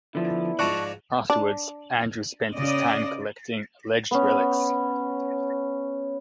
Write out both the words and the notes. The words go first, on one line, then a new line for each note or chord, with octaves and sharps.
Afterwards, Andrew spent his time collecting alleged relics.
D3 F3 B3 D4 E4
G#2 F3 F#4 D5 A5 C#6 F#6
D4
C#3 D5 D#5
B3 C#4